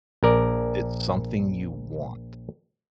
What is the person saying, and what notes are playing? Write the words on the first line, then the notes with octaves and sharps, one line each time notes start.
It's something you want.
A#1 A#4 D5